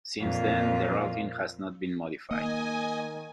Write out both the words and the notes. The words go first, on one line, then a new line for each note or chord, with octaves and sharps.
Since then, the routing has not been modified.
F2 A#2 F4
D#3 A#3 D#5 G#5